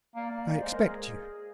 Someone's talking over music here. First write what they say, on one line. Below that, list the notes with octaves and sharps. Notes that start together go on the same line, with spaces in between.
I expect you.
A#3 D5
A#3
G#3
C5
A#4
G#4